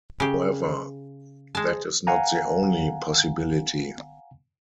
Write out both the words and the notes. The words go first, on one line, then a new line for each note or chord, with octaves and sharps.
However, that is not the only possibility.
C#3 G4
G#3 A5
F5 F#5 G#5 A#5